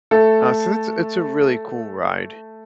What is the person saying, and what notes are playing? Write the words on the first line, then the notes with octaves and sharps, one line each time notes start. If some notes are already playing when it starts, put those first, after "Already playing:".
Uh, so, it's a it's a really cool ride.
A3 A4